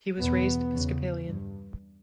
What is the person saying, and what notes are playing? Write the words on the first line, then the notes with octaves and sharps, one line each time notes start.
He was raised Episcopalian.
E2 B2 B3
E2 C#3
G2